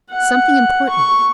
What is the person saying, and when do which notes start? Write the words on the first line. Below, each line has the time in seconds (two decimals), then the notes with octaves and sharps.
"Something important."
0.10 F#5
0.89 C#6